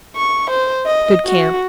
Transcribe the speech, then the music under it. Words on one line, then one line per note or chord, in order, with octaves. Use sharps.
Good Camp.
C#6
C5
D#5
F#4